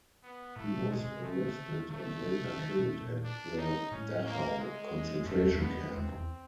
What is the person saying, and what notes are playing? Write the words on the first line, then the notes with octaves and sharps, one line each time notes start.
He was arrested and later killed at the Dachau concentration camp.
B3
A2 A3
C3
B2
B2 G#3
C3
C#3 A3
D3
C#3
D#3
D3 A3
D3
C#3
C3
D#3
B2
A#2
D4
D#4
A2 C#4
A#3
G#3
F#2 A3
F2
E2
F2 B3
E2 C4
E2